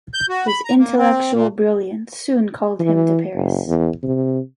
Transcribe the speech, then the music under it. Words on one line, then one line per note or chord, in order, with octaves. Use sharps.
His intellectual brilliance soon called him to Paris.
G6
F#4
B5
A#5
A#3
C4
A#2
E3
F#1
E2
C3